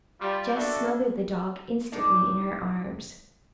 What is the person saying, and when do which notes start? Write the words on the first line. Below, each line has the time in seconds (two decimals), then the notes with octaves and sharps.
Jess smothered the dog instantly in her arms.
0.21 G3 F4
0.55 D4 F#4 A4 E5
1.92 A2 D4 D#4 D5